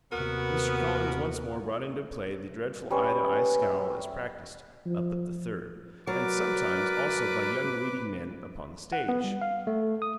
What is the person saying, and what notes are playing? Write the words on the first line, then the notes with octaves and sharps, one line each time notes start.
Mr. Collins once more brought into play the dreadful eye-to-eye scowl as practised "up at the Third," and, sometimes, also by young leading men upon the stage.
D#2 C3 B3 F#4 A#4
G3 C#4 B4 G#5
E5
F3
F#3 A#4 B4 D5 D6
F#5
B3
G3
F5
A3
D#6